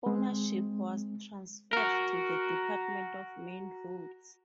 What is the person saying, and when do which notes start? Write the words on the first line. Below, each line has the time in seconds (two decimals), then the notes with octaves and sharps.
Ownership was transferred to the Department of Main Roads.
0.06 G#3 C4
1.73 F#4 A#4